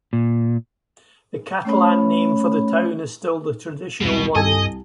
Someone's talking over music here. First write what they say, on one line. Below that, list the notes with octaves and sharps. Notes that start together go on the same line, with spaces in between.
The Catalan name for the town is still the traditional one.
A#2
A3 C#4 C#5 B5
E1 C2 B2
C2 G2 G4 A4 D#5 G#5 A5